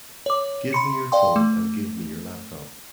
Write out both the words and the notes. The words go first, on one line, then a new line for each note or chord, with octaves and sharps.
Give me your phone and give me your laptop.
C#5 D6
B5 C6 C#7
D5 F5 G5 C6
A3